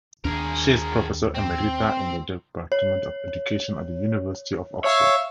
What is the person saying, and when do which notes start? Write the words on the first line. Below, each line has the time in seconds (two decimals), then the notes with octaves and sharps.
She is Professor Emerita in the Department of Education at the University of Oxford.
0.25 D#2 D4 G#4 A#4
1.35 C4
2.72 C#5
4.84 C#5 E5 F5